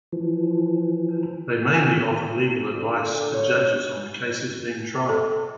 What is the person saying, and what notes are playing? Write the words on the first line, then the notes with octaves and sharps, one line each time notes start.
They mainly offer legal advice to judges on the cases being tried.
E3 F3
D3
C#5
A4